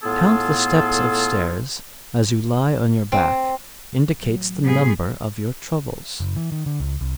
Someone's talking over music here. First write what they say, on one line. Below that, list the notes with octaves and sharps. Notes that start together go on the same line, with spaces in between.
To count the steps of stairs, as you lie on your back, indicates the number of your troubles.
A2 B3 F4 G#4 A4
C4
A1 F#3
A2 G3 B3 G#4
F#1
E3
D#3
D3
C#2
C2